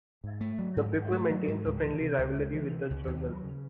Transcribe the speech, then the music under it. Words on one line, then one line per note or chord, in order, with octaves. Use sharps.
The paper maintains a friendly rivalry with the "Journal".
G#2
A3
F#3
G#2
G#2
A3
F#3
G#2
C#2
E3
C3
C#2
C#2
E3
C3
C#2
D#2
F#3
C#3